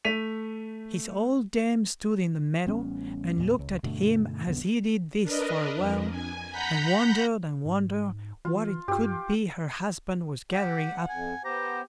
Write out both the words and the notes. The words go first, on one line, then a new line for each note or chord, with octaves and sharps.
His old dame stood in the meadow and looked at him as he did this for a while, and wondered and wondered what it could be her husband was gathering up.
A3 B6 D#7 F7
A1 G3 B3 C#4
E2 A#2
C#2
G2 B2 D3 A3
B1 F2 D3 B3
D4 A#4 B4 D#5
F2
G#5
F#5 A#5 B5 G6 B6
G#2
E3 F4
G2 F4 G4
G4 F#5
F2 G#5
B3 G4 C5 A#5